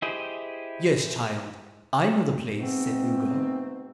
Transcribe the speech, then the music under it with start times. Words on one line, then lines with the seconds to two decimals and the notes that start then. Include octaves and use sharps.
"Yes, child, I know the place," said Ugo.
0.02 E4 G4 G#4 C5 D#5
2.59 G#2 B2 A3 B3 C4